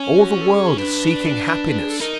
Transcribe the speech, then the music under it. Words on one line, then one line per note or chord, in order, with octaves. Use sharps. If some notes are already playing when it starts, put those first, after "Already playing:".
All the world is seeking happiness.
Already playing: C#4
F#4
A4
G#4
D4 B4
G#4
A4
D#4 A#4